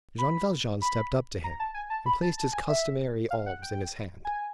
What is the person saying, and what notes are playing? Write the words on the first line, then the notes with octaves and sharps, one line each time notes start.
Jean Valjean stepped up to him and placed his customary alms in his hand.
B5
B5
A#5
A5
G#5
A5
B5
A5
A5
G#5
E5
F5
F#5
G5
G#5